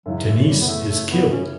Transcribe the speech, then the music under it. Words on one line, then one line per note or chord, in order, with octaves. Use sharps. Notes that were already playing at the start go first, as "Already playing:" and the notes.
Denise is killed.
F#2 C#3 E3 F#3
A3
G3
B3
A3
A3
B3
C#4